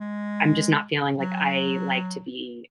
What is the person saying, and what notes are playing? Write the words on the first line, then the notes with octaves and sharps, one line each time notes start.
I'm just not feeling, like, I, like, to be
G#3
F#3